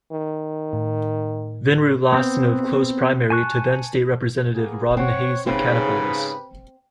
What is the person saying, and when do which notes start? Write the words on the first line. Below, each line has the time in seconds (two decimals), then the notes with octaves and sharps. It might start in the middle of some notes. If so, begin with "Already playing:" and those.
Vinroot lost in a close primary to then-state representative Robin Hayes of Kannapolis.
0.12 D#3
0.73 A2
2.12 B3 C4
3.30 G#5 A5 C#6 F#6
4.54 A#3 B3 G#4
4.97 C4 C#5 F#5
5.47 G#2 C#3 C4 G4 B4 B5